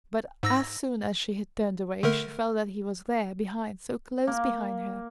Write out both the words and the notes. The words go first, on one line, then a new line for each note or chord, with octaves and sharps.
But as soon as she had turned away she felt that he was there, behind, so close behind her.
G#2 E6 A#6
D3 A3 A#4
A#3